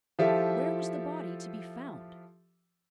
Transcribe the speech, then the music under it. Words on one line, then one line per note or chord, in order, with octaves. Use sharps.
Where was the body to be found?
F3 E4 F4 G4 A4 E5